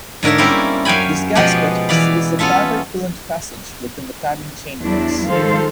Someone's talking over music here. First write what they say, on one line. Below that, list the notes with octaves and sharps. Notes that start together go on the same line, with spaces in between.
This gasket seals the primary coolant passage within the timing chain case.
G#2 D3 A#4 C#5 E5
G3 A#3 C4 C#4 E4
F#2 F5 G5 G#5 B5
B2 F3 G#3 B3 G4
E3 D5 F5 B5
B3 C#4 F4 A4 E5
E2 F#3 D4 E4
D#3 F3 G#3 A4 C5 F5